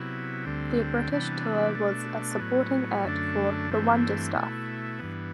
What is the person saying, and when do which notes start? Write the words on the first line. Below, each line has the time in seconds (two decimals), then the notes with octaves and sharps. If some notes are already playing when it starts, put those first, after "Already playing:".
Their British tour was as a supporting act for The Wonder Stuff.
Already playing: C3 F#3 B3 E4
0.45 D2 D3 G3 C4
1.11 C3 E3 G3 B3 D4
1.75 B2 A3 D4
2.40 A2 F#3 B3
3.05 F#2 D3 A3 D4
3.70 G2 E3 A3 C4
4.35 B2 A3 E4
5.00 G2 E3 B3